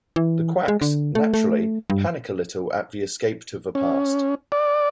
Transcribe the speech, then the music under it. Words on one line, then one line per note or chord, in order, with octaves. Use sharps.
The Qax, naturally, panic a little at the escape to the past.
E3
G#3
D3
A3
A3
G2
C#4
D5